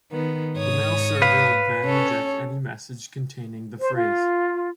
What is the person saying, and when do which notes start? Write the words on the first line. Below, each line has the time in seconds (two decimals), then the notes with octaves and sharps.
The mail server would then reject any message containing the phrase.
0.11 D#3 B3
0.56 G#2 C#5 D#6
1.22 B4 F5
1.85 C#4 A4 C#5
3.81 C5
3.95 F4